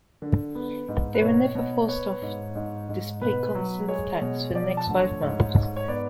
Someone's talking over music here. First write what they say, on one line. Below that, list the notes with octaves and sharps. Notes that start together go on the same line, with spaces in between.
They were never forced off despite constant attacks for the next five months.
D3
B3
G#2
B4
B2 C#5
B2
B3 C#5
G#2
G#2
G#2
B2 B4
F#3
G#3 C#5
B2
F3 D5
A5
D2
C#5
G#2
G#2
C#5
B3 D5